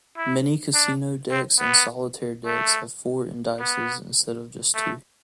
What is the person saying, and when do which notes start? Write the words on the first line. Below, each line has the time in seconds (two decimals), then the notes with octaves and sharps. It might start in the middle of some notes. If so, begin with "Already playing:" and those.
Many casino decks and solitaire decks have four indices instead of just two.
0.17 E4
0.74 D4
1.31 C4
1.59 B3
2.46 A3
3.59 B3
4.74 A3